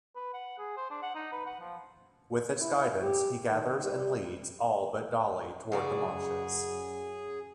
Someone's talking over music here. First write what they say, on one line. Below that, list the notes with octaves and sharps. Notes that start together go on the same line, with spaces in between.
With its guidance, he gathers and leads all but Doli toward the Marshes.
B4
F#5
G#4
C5
D4
F#5
D#4
B4
F#5
F3
E4
G4
D#3
G3
F#2 C#3 F#4 G#4 D5